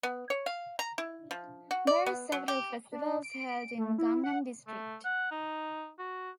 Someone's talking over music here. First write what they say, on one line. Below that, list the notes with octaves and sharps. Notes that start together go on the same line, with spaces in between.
There are several festivals held in Gangnam District.
B3
C#5
F5
A#5
E4
F3
F#4
D5
B3
F#3
G4
D4
D7
A3
E4
F#5
A3
F#5
D#4
F#4